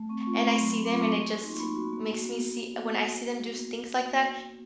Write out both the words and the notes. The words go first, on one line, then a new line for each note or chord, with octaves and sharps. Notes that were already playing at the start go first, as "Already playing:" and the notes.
and I see them, and it just makes me see when I see them do s things like that,
Already playing: A3
C4 C#6
C#6
F4
C#6
A3 B5
F#3 C6
C4
D6
F4
F#4 C#6
A#3
C6
D#4
A#3 B5
F#4
B5
A#3
F#4
B3